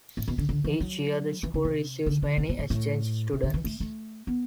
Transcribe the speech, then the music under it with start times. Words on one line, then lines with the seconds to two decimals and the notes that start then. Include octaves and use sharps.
Each year the school receives many exchange students.
0.17 A2
0.28 B2
0.38 D3
0.49 D3
0.64 E3
0.80 F#3
1.43 E3
1.54 D3
1.64 C3
2.06 D3
2.22 D3
2.38 C3
2.49 B2
2.59 A2
2.70 A2
3.33 C3
3.43 D3
3.54 E3
3.64 A3
3.80 A3
4.27 B3